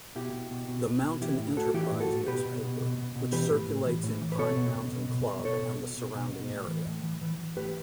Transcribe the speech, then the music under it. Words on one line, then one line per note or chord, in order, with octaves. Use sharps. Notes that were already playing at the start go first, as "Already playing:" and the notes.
The "Mountain Enterprise" newspaper, which circulates in Pine Mountain Club and the surrounding area.
B2 E4 G4
B2
B2
B2
B2
B2
E3 E4 G4
A2
A2 F#4 A4
E3 E4 G4
A2
F#4 A4
A2
B2 G4 B4
B2
B2
B2
B2
B2
E3 G4 B4
A2
A2
E3
A2
E3
B4
B2 A4 C#5
B2
B2
B2
B2
B2
B2 A4 C#5
B2
B2
B2
B2
B2
A2
E3
A2
E3
E3
E3
A2 G4 B4